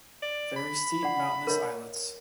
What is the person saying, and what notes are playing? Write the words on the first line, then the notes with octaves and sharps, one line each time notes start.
Very steep mountainous islets.
D5
B5
D5 F#5
A#4 C#5 D#5